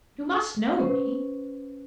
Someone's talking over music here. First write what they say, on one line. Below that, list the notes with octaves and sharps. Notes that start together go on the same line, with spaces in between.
You must know me!
C#4 B4 C5